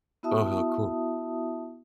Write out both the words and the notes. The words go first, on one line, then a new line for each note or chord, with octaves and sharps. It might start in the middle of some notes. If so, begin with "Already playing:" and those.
Oh, how cool.
B3 E4 F#4 E5 A5 D#6